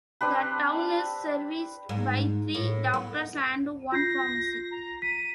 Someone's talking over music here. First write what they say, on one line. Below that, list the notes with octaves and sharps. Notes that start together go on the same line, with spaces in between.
The town is serviced by three doctors and one pharmacy.
C4 D4 G4 B4
G#2
A2
B3
F4 G6 A#6 C7
A#5
B6 D#7